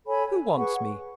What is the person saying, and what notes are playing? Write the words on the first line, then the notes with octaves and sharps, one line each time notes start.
"Who wants me?"
A4 C#5 G#5 B5
G#4 B4 F#5 C#6